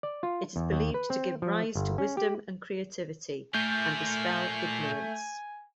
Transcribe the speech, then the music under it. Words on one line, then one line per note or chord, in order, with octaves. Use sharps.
It is believed to give rise to wisdom and creativity, and dispel ignorance.
D5
F4
E2
D#2
B4
C4
F3
G1
C#4
G4
A#2 A3 F4 G#5 G6